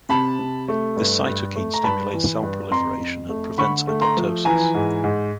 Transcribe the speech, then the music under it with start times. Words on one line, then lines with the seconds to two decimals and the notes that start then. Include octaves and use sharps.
This cytokine stimulates cell proliferation and prevents apoptosis.
0.09 C3 A5 B5
0.39 C3
0.68 A3
0.96 G2
1.26 G2
1.55 A3
1.74 A#5
1.83 G2 A5 B5
2.14 E3
2.42 G2
2.71 F2 A#5 C6
2.99 F2
3.29 A3
3.58 D3 B5 C#6
3.87 A3
4.01 A#5 C6
4.17 F3
4.45 E3 G#5 A#5
4.74 G#2
5.04 G#2